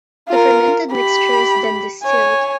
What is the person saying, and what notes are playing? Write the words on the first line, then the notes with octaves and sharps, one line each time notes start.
The fermented mixture is then distilled.
F4 A#4
G4 B5
C#5 G#5